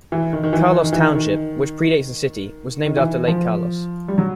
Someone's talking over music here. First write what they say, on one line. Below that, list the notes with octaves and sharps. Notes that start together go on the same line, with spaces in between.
Carlos Township, which predates the city, was named after Lake Carlos.
E3
D#3
D#3
E3
D#3
E3
D#3
D#3
D#3
E3
F3
G3
F#3